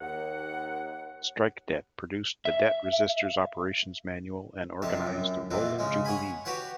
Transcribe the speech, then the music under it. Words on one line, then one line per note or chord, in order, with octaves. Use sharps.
Strike Debt produced the Debt Resistors Operations Manual and organised the Rolling Jubilee.
D#2 F#5
E5
F2 C3 A5
F#2
F2 B2 E3 F3
C#3 G#3
C#5 F#5 G#5 B5
F#4 G4 B4 C#5 F#5